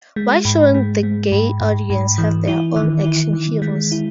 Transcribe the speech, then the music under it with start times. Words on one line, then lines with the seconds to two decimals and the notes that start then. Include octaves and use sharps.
Why shouldn't the gay audience have their own action heroes?
0.16 G#3
0.45 G#2
0.74 G#3
1.03 G#3
1.32 G#2
1.61 G#2
1.90 G#2
2.18 E3
2.48 E4
2.76 D#3
3.04 E4
3.33 D#3
3.62 G#3
3.92 E4